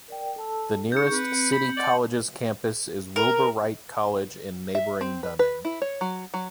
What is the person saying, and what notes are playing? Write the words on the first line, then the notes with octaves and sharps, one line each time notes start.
The nearest City Colleges campus is Wilbur Wright College in neighboring Dunning.
A#4 D5 G5
A4 A5 E6
D#4 G#4 C#6 G6 C#7
C4 B4
B5 F#7
D5 D#5 F#5 C6 F#7
A#4
E5
C4
B4
B4
E4
C#5
F#3
F#3